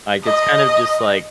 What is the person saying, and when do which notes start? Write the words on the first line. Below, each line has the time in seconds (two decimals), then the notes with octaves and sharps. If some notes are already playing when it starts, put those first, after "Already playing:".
Like, it's kind of just, like
0.24 D#5